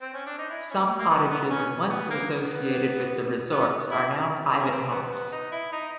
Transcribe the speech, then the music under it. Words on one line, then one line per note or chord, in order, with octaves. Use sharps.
Some cottages once associated with the resorts are now private homes.
C4
C#4
D4
D#4
E4
C#4
A#3
B3
B3
C#4
B3
A#3
B3
B3
E4
C#4
C4
B3
B3
D#4
E4
D#4